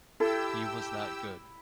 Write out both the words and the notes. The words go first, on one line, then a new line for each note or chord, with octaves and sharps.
He was that good.
E4 G4 A4 G5 E6